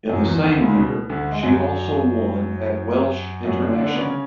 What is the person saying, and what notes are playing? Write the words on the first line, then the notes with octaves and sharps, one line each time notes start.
In the same year she also won at Welsh International.
F#2 F#3
E2 E3
D2 D3
C#2 C#3
C#3
B2
D2 D3
G#3
F#2 F#3
F#2 F#3
D3 D4
D3 D4
B3
C#3 C#4